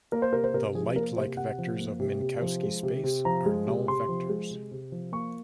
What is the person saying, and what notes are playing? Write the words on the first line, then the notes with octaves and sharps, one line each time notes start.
The light-like vectors of Minkowski space are null vectors.
A#3 A#4
C5
C3 A#4
C5
C3 A#4
F3 G#4
A#3 A#4
C3 C5
C3 F#5
F3
A#3
C3
C3
F3
G#3
C3
C3
F3 A#5
G#3
C3
C3 C6
F3
G#3
C3
C3
F3
A#3 C#6